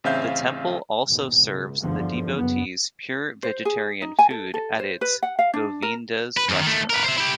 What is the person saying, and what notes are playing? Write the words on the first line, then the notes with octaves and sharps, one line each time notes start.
The temple also serves the devotees pure vegetarian food at its 'Govindas' restaurant.
A1 C#3 C4 E5 F5 G6
D#2 G#2 B2
C#2
G1 E2 G#2 D3 F3
F#1 B3
C5
G#4
D#4
G#5
A4
A4
C5
B4
F#5
F5
D4
A#4
B4
F#2 D#3
D#3 A3
A#4 B4
C5 E5
E4 G4